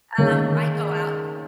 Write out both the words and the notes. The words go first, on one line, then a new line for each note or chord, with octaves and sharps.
Um, I go out.
D#3 A#3 C#4 G#4